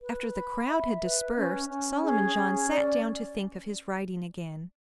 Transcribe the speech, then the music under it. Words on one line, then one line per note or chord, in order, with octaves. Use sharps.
After the crowd had dispersed, Solomon John sat down to think of his writing again.
B4
B5
E5
B4
C#4
C#4
G#4
C#4
D5